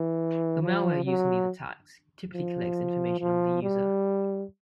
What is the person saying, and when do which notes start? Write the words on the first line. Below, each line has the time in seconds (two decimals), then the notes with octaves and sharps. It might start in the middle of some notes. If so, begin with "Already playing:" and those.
The malware used in these attacks typically collects information on the user.
Already playing: E3
0.62 F3
1.04 F#3
2.34 F3
3.19 F3
3.62 G3